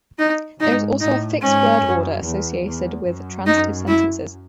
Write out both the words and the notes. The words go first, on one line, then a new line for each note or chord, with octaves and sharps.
There is also a fixed word order associated with transitive sentences.
D#4
G#2 D#4
A2 D#4
G#2 C#4
F#2
E2
E2
F#2
D#4
E4